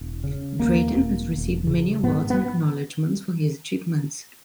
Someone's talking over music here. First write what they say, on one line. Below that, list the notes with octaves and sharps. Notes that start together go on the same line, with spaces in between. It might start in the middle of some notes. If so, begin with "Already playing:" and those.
Drayton has received many awards and acknowledgments for his achievements.
Already playing: E1
C#3
D#2 A#3
E1
E1
C#3
G#2 B3
B3